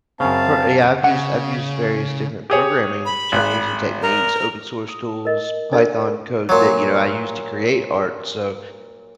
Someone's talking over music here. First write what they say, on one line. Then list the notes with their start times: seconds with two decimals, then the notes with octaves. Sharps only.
Per a I've used I've used various different programming tools and techniques, open source tools, Python code that, you know, I use to create art, so,
0.20 F#2 C#3 C4 F5 A5
1.04 C#3 F#5
2.50 G4 G#4 C#5
3.05 B5
3.32 G#1 F#6
4.02 A#4
4.88 D#6
5.25 A#4 D#5
5.73 D4 A4 A#4 D5
6.49 A#2 F#3